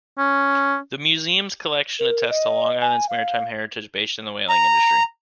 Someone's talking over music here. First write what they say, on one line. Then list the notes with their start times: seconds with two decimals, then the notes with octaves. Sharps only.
The Museum's collection attests to Long Island's maritime heritage based in the whaling industry.
0.18 C#4
1.99 A#4
2.30 D#5
2.81 G#5
3.09 F5
4.49 A#5